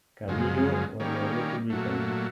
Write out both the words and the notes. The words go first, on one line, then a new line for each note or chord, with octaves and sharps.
Carrillo was a Republican.
F#2 C#3 F3 G#3
D#3 G3 A#3 C#4
A#2 F#3 A3